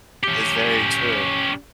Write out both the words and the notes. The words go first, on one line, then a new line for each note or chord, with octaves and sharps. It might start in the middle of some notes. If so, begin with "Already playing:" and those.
It's very true.
C#4 G4